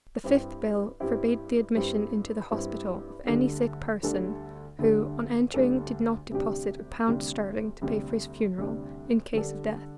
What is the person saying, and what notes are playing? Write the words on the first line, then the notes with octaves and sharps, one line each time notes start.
The fifth bill forbade the admission into the hospital of any sick person who on entering did not deposit a pound sterling to pay for his funeral, in case of death.
G2 G3 C4 E4 G4
G2 G3 C4 E4 G4
G2 G3 C4 E4 G4
G2 G3 C4 E4 G4
D2 D3 G3 D4 A4
D2 D3 G3 D4 A4
D2 D3 G3 D4 A4
D2 D3 G3 D4 A4
D2 C3 G3 D4 G4
D2 C3 G3 D4 G4
D2 C3 G3 D4 G4
D2 C3 G3 D4 G4
D3 G3 D4 A4